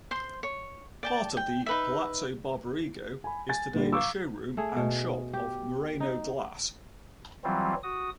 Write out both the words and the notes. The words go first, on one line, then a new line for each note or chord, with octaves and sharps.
Part of the Palazzo Barbarigo is today a showroom and shop of Murano glass.
C5 C6
C#5
D5 G5 A5
G5
D#4 B4 E5
G#5 B5
G#5 A6
A#2 D3 G3
F5 A#5 C#6 D6 E6
A3 G#4
B2
G4
D#4
E3 F#3 G3 C4 F4
F#4 D#6